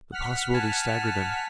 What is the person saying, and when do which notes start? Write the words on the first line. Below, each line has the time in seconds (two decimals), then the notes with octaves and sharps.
The possibility staggered them.
0.12 F#5 F6 B6
0.54 G#5 A5